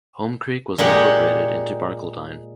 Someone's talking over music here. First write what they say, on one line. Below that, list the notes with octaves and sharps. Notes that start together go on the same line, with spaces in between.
Home Creek was incorporated into Barcaldine.
A#2 G#3 G4 F#5